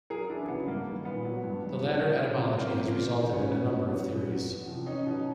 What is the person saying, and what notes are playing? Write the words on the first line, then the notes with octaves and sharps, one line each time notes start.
The latter etymology has resulted in a number of theories.
F#3 G#4 A#4
E2 D4 E4
C#3 F#3 B3
G2 A#3
D#3 G3
A#2 B3
F#3
G2
D#3 G3
A2
F3
A#2
F#3
E2 A#3 C4
C#3 F3
E2
C3 D#3
A#2 B3 C#4
F3
E2
B2 F#3
A#2
F#3
E2
C3 F3
E2 C#4 D#4
B2 F#3